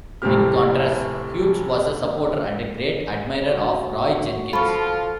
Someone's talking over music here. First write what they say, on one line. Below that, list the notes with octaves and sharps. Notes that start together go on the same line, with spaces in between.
In contrast, Hughes was a supporter, and a great admirer of Roy Jenkins.
F1 A2 C3 C4 G4 F6
F#4
F3 F4 A4 B5 C#6